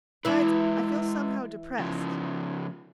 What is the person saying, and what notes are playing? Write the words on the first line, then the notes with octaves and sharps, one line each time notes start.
"Besides I feel somehow depressed."
E3 G#3 E4 B4
C#3 F3